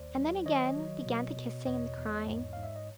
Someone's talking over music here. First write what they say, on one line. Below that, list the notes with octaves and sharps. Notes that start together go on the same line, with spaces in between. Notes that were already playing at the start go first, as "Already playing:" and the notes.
And then again began the kissing and the crying.
Already playing: D#2 C5 D5
F#3
D#3 C#5 D#5
F#3
B2
B2
E2 C#5 D#5
E2
G#2
G#2 F5
E5
D#5